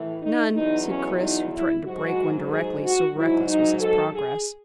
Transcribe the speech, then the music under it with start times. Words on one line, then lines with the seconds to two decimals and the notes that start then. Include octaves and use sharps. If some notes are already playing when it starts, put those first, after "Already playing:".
"None," said Chris, who threatened to break one directly, so reckless was his progress.
Already playing: A2 E3
0.20 D#4
0.53 E2 B2 F#3 D#4
0.85 C#4
1.18 D#4
1.51 E4
1.84 G#2 F#3 F#4
2.49 G#4
2.82 F#4
3.14 G#2 F#3 E4
3.48 D#4
3.80 A4
4.13 G#4